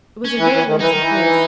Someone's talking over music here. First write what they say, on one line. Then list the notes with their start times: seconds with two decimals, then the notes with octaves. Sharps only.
It was a very lonesome place.
0.25 C#4
0.38 E3
0.53 E3
0.66 D#3
0.80 E3 D#4
0.92 D#3
1.01 E3